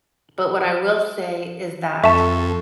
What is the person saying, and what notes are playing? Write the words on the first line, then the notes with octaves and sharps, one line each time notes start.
But what I will say is that,
F2 A4 E5 A5 C#6